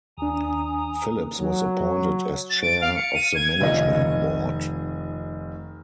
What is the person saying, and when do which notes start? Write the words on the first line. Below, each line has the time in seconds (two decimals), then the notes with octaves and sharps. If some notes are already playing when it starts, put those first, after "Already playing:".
Phillips was appointed as Chair of the Management Board.
0.18 D#2 D4 G#5 A#5 D#6
1.39 F#3
2.50 A6
2.62 D7
2.81 F5
2.96 C#7
3.15 D#7
3.35 G#6
3.60 F1 D#3 F4 D#5 A#6